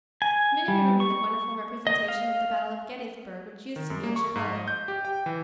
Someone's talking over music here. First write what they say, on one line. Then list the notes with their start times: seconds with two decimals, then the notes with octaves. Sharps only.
Many remember the wonderful representation of the Battle of Gettysburg which used to be in Chicago.
0.22 G#5
0.68 G3
1.00 C#6
1.87 D#5
2.08 F5
3.76 D#3
3.90 F#2
4.04 A#3
4.16 C#6
4.35 G#2
4.53 D#5
4.68 G6
4.88 G4
5.05 G5
5.26 E3